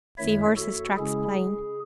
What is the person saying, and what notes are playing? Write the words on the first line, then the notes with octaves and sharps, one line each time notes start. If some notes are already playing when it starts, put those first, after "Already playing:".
See horse's tracks plain.
F#2 D#3 A3 E4 C#5 E5
F#4 A4
C#3 G#3 C#4 E4 G#4